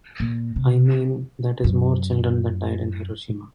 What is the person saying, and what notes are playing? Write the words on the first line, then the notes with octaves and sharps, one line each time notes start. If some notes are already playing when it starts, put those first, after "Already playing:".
I mean, that is more children than died in Hiroshima.
A#2
C3
F#2